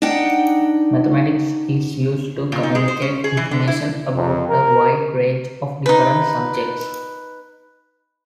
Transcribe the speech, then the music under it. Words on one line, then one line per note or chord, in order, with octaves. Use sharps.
Mathematics is used to communicate information about a wide range of different subjects.
D4 D#4 D#5 F#5 G5
A#2
D#4
G#3
C5
C#4
G#4
E3
D3
E4
F2
A#4
D#4 B4